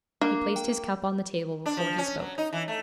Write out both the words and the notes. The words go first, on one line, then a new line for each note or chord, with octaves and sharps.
He placed his cup on the table before he spoke.
A#3 D4
G5
D4
F3
C#4
F#3
D#4
E3
A3